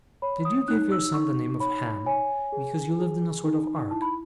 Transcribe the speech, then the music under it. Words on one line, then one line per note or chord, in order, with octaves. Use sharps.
'Did you give your son the name of Ham, because you lived in a sort of ark?'
C#5 B5
D#6
D#4 F#6
E6
D#4 C#6
C#5 B5
C#5 G#5
G#4
G#4
D#4
E4 A5
B5